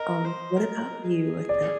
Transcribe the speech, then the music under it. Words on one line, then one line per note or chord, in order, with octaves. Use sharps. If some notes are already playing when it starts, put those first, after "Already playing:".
Um, what about you with it?
Already playing: A#4 D#5
C5
A#4
G#4
D5